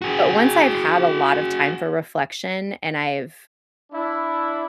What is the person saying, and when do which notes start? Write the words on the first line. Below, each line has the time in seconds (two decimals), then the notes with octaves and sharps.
But once I've had a lot of time for reflection and I've
0.02 F#4 G#4
3.92 D4 E4